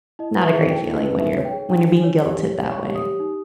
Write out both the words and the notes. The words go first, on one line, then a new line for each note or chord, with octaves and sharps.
not a great feeling when you're when you're being guilted that way.
E4 D#5
B4
E5
G#4
E4 G5
E4
D#5
B4
D#4 E5
C#5
G5
G#4
D#4 G5
D#4
G#5
C#5
G4
G4
C#5
C#5 C#6
G4
D#6
G4
D#4